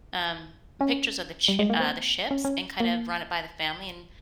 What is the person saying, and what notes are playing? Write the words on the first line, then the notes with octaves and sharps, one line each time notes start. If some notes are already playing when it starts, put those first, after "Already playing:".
um, pictures of the ch uh, the ships and kind of run it by the family and
C#4
G3
G#3
A#3
C4
C#4
C#4
A#3